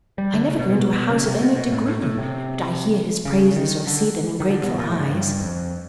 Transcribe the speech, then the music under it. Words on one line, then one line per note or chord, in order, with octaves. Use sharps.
I never go into a house of any degree but I hear his praises or see them in grateful eyes.
G3
D3
C#3
B2
B2
B2
C#3
C3
B2
B2
A2
A2
A2
C3
C#3
D#3
D3
D#3
D3
B2
A#2
A2
G#2
G2
F2